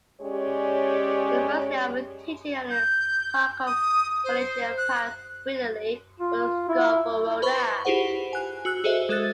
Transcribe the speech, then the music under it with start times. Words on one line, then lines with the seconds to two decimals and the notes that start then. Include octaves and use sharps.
The first year of teaching at Kharkov Collegium passed brilliantly for Skovoroda.
0.21 G#3 C#4 G4 C#5 D5
2.70 G6
3.67 D#6
4.24 C5
4.78 F#6
6.20 F4
6.69 E4
7.42 B4 C5 B5 C#6
7.85 E4 F4 G4 G#4 C5 F#5
8.33 G#5 F#6
8.65 F#4 E6 F#6
8.84 F#4 G#4 A4 C5 D#5 E5
9.09 G#3 A4 F#6 A6